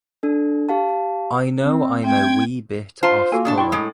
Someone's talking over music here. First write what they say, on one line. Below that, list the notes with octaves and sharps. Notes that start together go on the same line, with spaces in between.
I know I'm a wee bit off color.
D4 A4
G4 F5 A5
C4
A3 C4 G5 G#6
F4 C5 A5 A#5 C6
A#3 F#4 A4 G#5
B2 D4 A5
E4 G5 C6 C#6
A2 G#3